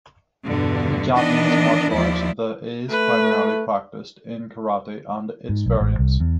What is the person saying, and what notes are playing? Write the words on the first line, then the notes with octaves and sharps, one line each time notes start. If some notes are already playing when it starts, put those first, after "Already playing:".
In Japanese martial arts, the is primarily practiced in karate and its variants.
E2 G2 B2 D3
D#3 E3 B3 D4 A#4 D#5
D#2 F3 E4 F4 D5
A3 B4
G#2
B1
A1
C2
E2